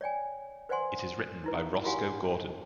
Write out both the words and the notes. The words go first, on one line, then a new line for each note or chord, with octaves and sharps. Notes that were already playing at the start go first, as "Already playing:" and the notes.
It is written by Rosco Gordon.
C#5 D5 G5 G#5
B4 C5 D5 F#5 G#5 C6
D#4 E4 B4
E4 F#4 G4 F5 F#5 G#5